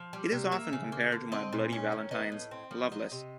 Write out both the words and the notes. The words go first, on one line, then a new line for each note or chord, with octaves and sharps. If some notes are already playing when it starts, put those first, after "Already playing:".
It is often compared to My Bloody Valentine's "Loveless".
Already playing: F3
G3
C3
A#3 E5
C#3
A#3
D3
C4 D#5
A#2
C#4
D#3
B3 D#5
A2
C4
F3
F#3 D#5
C3